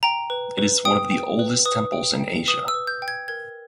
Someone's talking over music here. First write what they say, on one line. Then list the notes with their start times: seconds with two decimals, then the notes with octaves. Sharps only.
It is one of the oldest temples in Asia.
0.03 G5 A#5
0.30 B4
0.58 B4
0.85 G5 D#6
1.11 G5
1.39 B4
1.65 B4 D#6
1.93 G5
2.20 G5
2.48 B4 D#6
2.68 E6
2.74 B4
2.87 G6
3.02 G5
3.08 G#6
3.28 A#4 G#6